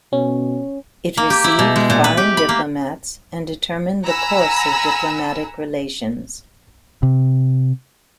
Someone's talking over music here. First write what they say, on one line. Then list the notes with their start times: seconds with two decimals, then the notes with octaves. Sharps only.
It received foreign diplomats and determined the course of diplomatic relations.
0.13 B2 C#4
1.17 A#3
1.30 G4
1.44 E4
1.59 B2
1.76 G#3
1.90 A#2
2.04 B4
2.17 G4
2.37 B5
2.49 A#3
4.03 F#5 G#5 A#5 B5 E6
7.03 C3